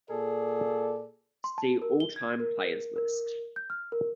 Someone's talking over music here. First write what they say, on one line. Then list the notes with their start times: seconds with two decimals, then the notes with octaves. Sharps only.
See all-time players list.
0.10 A#2 G#4 A4 D5
1.44 C6
1.58 A5
1.82 A#4
2.00 G7
2.16 G#6
2.40 A#4
2.96 A#4
3.56 G6
3.70 F6
3.92 A#4